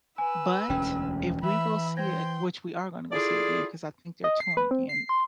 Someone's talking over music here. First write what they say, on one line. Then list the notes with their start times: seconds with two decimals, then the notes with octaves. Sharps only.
but if we go see it, which we are gonna go see it again 'cause I think they're touring again,
0.18 B4 G#5 E6
0.70 E1 D2 C#4 G5
1.43 E3 E5 B5
1.97 C5 G5 C6 G#6 A#6
3.12 E4 F4 G#4 A4 D5
4.24 D#5
4.40 C7
4.57 B4
4.71 C4
4.89 C7
5.09 C6